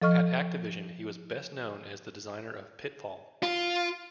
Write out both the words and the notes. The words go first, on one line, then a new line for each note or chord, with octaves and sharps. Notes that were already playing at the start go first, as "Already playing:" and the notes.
At Activision, he was best known as the designer of "Pitfall!".
F3 A4 D#5 C#6 F6
F4